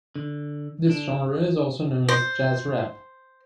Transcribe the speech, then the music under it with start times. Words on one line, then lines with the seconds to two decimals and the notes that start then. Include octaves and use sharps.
This genre is also known as jazz rap.
0.16 D3
0.87 D3 D4
2.09 C5